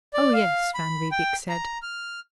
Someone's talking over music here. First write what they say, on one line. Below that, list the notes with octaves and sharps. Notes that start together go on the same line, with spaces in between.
"Oh, yes," van Riebeek said.
D5
F5
B5
G5
A#5
F6